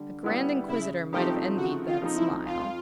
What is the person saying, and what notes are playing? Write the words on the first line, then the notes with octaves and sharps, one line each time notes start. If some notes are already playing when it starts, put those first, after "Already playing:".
A grand inquisitor might have envied that smile.
Already playing: D3 G3
G3 B3 E4
C#3 E4
F3 A3 C4 D#4 G4
C#3 F#4
F4
F3 A3 C4 D#4
E4
F2 F4